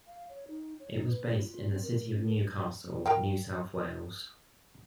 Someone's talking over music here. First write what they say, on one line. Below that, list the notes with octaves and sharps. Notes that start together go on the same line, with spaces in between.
It was based in the city of Newcastle, New South Wales.
F5
C#5
D#4
C#5
D#4
B4
E4
F4
C4
A#4
C#4
A#4
A#4 F5 G5